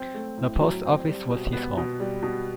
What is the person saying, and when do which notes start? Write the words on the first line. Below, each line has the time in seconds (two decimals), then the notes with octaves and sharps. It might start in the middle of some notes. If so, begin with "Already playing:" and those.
The post office was his home.
Already playing: F#3 C4
0.14 A3
0.37 A2
0.60 F#3
0.85 C4
1.08 G3
1.30 B2
1.53 B3
1.77 B2
2.00 G3
2.23 B2